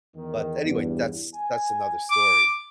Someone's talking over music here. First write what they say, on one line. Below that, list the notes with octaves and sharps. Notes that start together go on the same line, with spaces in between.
But, anyway, that's that's another story.
E2 D#3
E2 G2
G#5
D6